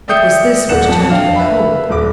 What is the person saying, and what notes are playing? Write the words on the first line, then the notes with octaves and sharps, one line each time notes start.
It was this which turned her cold.
D5 E5 G5 D#6 G6 C#7
D#1 A#3 D5 F#5 C#7 E7
F2 A5
D4 F5 G5
B4 E5 B5
D#1 D6